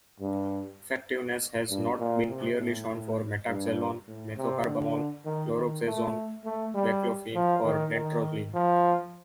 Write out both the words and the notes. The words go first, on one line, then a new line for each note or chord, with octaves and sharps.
Effectiveness has not been clearly shown for metaxalone, methocarbamol, chlorzoxazone, baclofen, or dantrolene.
G2
G2
A#2
C3
A2
G2
A2
C3
D3
D#3
D#3
A3
A3
G3
F3
D#3
D#3
F3